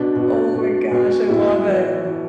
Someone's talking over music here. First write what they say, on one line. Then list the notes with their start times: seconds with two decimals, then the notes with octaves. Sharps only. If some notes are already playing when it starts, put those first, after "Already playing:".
Oh my gosh, I love it.
Already playing: B2 D4
0.16 B2
0.54 B2
0.91 B2
1.29 A2 E4
1.67 E3
2.05 E3